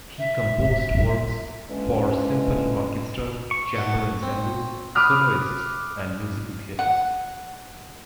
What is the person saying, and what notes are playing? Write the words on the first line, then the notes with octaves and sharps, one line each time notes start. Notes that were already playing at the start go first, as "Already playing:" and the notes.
He composed works for symphony orchestras, chamber ensembles, soloists and musical theatre.
E5
D3 E3 G#3 A#3 C#4
C#6
A3 F#5
C4
B5 D6 D#6 F6 F#6
F#5